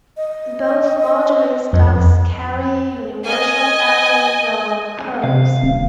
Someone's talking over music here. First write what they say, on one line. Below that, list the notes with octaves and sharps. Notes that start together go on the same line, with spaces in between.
Both moduli stacks carry universal families of curves.
D#5
F2
D#5 G#5
C3 F5
D#1